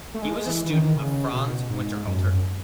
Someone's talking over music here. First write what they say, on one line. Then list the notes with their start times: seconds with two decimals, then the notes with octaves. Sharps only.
He was a student of Franz Winterhalter.
0.14 A3
0.22 G#3
0.46 E3
0.66 E3
0.71 D#3
0.96 C#3
1.33 B2
1.69 G#2
2.07 F#2